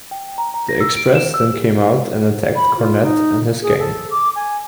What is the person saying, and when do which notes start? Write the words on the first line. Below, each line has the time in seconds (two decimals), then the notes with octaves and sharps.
The Express then came out and attacked Cornette and his gang.
0.11 G5
0.38 A#5
0.54 A#5
0.69 A#6
0.81 E6
0.97 D7
1.15 E7
1.34 E6
1.53 G4
2.55 B5
2.77 F4
3.02 D#4
3.62 G#4
3.79 A4
4.11 D6
4.36 G#5